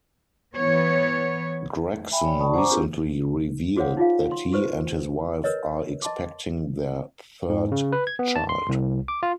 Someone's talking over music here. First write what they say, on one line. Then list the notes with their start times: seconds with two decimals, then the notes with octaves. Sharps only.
Gregson recently revealed that he and his wife are expecting their third child.
0.56 E3 B3 C#5
2.11 E5 G5 G#5 B5
2.24 C#5 D5 G5 B5
2.38 D5 A5 C#6 D#6
2.54 C5 F#5 G#5 A#5 C#6 D6
2.69 C4 D4 F4 G4 G#4 A#4
3.76 F#4 G#4 C5 C#5 F5 F#5
3.97 D#4 F4 G#4 F5
4.32 C6
4.52 F#4 G4 B4 C5
5.44 A#4 B4 C#5 D#5
6.02 D#5 A5 C6 D6
7.50 G#2
7.72 C#3
7.92 B4
8.07 G#6
8.19 B3
8.36 A5
8.49 C6
8.69 C2
9.08 D6
9.23 F4